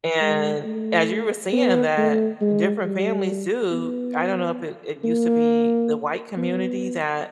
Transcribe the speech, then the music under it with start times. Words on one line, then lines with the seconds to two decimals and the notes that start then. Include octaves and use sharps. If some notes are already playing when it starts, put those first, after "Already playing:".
and as you were saying that different families do I don't know if it it used to be the white community that
0.21 G#3
0.65 A3
1.52 B3
1.97 A3
2.41 G#3
2.85 G3
3.72 B3
5.04 A#3
6.37 B3